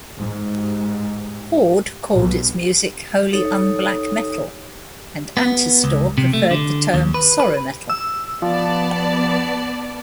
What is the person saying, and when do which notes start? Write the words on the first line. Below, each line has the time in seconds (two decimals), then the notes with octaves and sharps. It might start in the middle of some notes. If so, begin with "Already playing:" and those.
Horde called its music "holy unblack metal" and Antestor preferred the term "sorrow metal".
0.17 G#2
2.15 B1
3.33 D#4 A4 C#5 D#6
5.37 B3
5.84 C#2
6.18 C3
6.33 A3
6.51 D3
6.94 D#2
7.14 B4
7.40 B4
7.90 E6
8.42 F3 B3 D5 A5